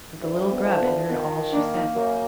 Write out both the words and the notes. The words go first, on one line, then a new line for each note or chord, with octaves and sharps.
But the little Grub had heard all she said.
D2
B3
F3
B3
D#3 B3
A#3 D4
D#4
F#2